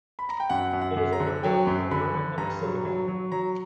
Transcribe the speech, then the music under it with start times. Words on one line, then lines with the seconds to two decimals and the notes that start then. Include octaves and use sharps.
It is overlooked by Birmingham City Hall.
0.19 B5
0.29 A#5
0.40 G5
0.50 F#2 F#5
0.73 F#2
0.81 F#5
0.97 F#2
1.13 A#5
1.20 D3
1.43 F#3 G5
1.67 F#2
1.91 D3 B5
2.14 D3
2.38 G2 A#5
2.61 F#3
2.85 F#3
3.08 F#3
3.32 F#3 A#5